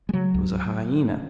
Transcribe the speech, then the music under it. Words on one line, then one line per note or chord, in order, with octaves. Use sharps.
It was a hyena.
G#3
C#3 F#3
C#2